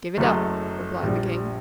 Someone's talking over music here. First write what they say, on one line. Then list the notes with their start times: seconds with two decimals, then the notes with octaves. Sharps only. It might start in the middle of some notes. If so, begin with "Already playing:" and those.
"Give it up," replied the King.
0.17 F#1 F#2 C#3 F#3 A3
1.03 A#1 A#2 G3